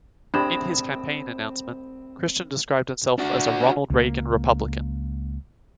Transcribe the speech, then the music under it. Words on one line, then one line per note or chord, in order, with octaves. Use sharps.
In his campaign announcement, Christian described himself as a "Ronald Reagan Republican".
C2 A2 G#3 C4 D4 G4 B5 E7
D4 F#4
C#2 A#3